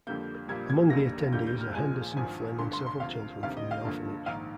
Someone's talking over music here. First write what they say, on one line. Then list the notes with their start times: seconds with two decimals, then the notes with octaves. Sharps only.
Among the attendees are Henderson, Flynn and several children from the orphanage.
0.07 F2 D3 G3 A#3 G6
0.48 A#1 A#2 G3 A#3 G#6
0.70 G#6
0.90 F1 D#2 D3 G3 A#3 A#6
1.32 D#2 D3 G3 A#3 G6
1.47 G6
1.61 F6
1.75 A#1 A#2 F3 G#3 G#5
2.17 G#1 G2 F3 G#5
2.59 G1 G2 D3 C6
2.73 C6
2.86 C6
3.00 D2 C3 F3 F5
3.42 D2 C3 D#3 G3 F5
3.57 D#5
3.71 F5
3.85 G2 D3 F3 A#3
4.26 A#1 G#2 D#3 A#3 F5